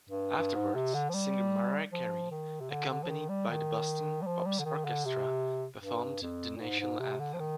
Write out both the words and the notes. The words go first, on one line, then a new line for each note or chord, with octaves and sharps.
Afterwards, singer Mariah Carey, accompanied by the Boston Pops Orchestra, performed the national anthem.
G2
G2
G#2
C3
D3
F3
G3
F3
D#3
C3
D3
D3
F3
D#3
G3
D#3
G3
F3
G3
D3
D#3
D3
C3
G2
F2
A#2
G#2
G#2
C3
D3
F3
D#3